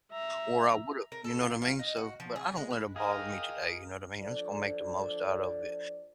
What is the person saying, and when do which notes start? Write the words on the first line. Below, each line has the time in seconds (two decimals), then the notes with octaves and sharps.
or I would've, you know what I mean? So but I don't let it bother me today, you know what I mean? I'm just gonna make the most out of it
0.11 E5 A#5
1.12 A#4
1.24 A4
1.41 F4
1.62 F5
1.79 D#4
1.97 F#4
2.20 F3
2.36 G#4
2.57 G#3
2.71 B4
2.96 G#4 A#4 D#5 F5 G5
4.20 F3 D4 A4 D5